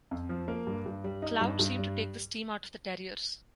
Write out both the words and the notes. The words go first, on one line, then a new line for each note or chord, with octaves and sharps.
Cloud seemed to take the steam out of the Terriers.
F2
F3
A#3
G2
G2
G3
D#4
G2
G2
G3